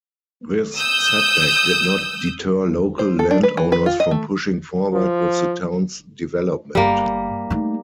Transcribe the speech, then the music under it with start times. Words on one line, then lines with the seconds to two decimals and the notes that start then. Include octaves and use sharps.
This setback did not deter local landowners from pushing forward with the town's development.
0.77 D#6 E6 G6
2.99 C5
3.19 A4
3.31 D4
3.43 B4
3.57 E3
3.72 B4
3.86 F4
4.00 D#5
4.11 A3
4.93 F3
6.75 G1 G3 A#3
7.50 A3 D#4